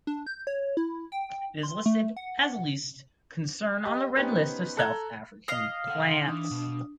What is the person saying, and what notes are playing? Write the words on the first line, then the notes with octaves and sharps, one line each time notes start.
It is listed as least concern on the Red List of South African Plants.
D4
G6
C#5
E4
G5
C6
A3
F#5
G4 D#5
B3 C#4 D#4 G4 B4 C5
A4 A#5 F#6 G#6 G7
D#5 F5
A4 F#5
D#4 C6
E3 D4 D#6
B2